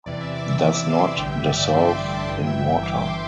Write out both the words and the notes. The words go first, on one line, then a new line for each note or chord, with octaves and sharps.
Does not dissolve in water.
E2 C3 E3 D5
E5
D6
E6
D6
C6
A1 G2 D3 G5
E5
D5
D5
C6
D6
C6
A5
G1 G2 E3 G5
E5
G5
D6
C6